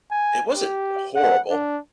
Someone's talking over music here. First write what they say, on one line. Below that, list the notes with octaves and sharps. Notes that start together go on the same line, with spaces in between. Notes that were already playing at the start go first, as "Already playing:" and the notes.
It wasn't horrible.
G#5
G4
F#5
D4